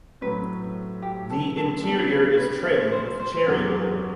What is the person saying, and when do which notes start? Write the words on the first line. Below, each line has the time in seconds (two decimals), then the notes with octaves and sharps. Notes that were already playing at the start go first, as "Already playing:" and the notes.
The interior is trimmed with cherry wood.
0.21 A2 F#3 C4 B4
1.02 G4
1.30 A4
1.57 A4
1.83 G3 B3 D4 A4
2.10 B4
2.37 B4
2.65 E5
2.87 B4
2.92 C5
3.19 C5
3.46 E2 C3 F#3 C4 F#4